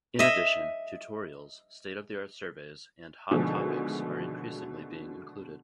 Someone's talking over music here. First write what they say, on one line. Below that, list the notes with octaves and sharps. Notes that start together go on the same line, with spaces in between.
In addition, tutorials, state-of-the-art surveys and "hot topics" are increasingly being included.
D#5 E5
B2 D3 D#3 F3 G#3 A3